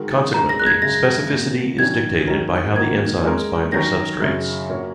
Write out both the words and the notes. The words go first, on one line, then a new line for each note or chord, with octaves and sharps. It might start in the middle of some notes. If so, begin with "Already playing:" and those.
Consequently, specificity is dictated by how the enzymes bind their substrates.
Already playing: D#3 G#3 F#4 A#4
G#3 D#4 A#4 C#5 A#5
A#6
F#6
G#6
F#2 C#3 G#3 A#6
A#2 A#3 F#4
D#3 F#3 C#4 G#6
G#2 D#3 F#3 C#4 A#4
D#3 A#3 F#4 A#4 G#6
G#3 C#4 A#4
D#3 F#3 C#4 A#4 C#5 A#6
F#2 C#3 F#3 C#4
A#2 A#3 C#4 F#4 C#5